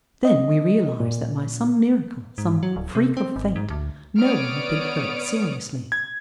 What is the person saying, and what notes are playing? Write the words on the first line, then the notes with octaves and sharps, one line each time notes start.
Then we realized that by some miracle, some freak of fate, no one had been hurt seriously.
D#5
A#2
G#2
F#3
D1
C3
C4
G#1
G#2
D2
B3 C#5 D5 D#6 F6 D7
G#6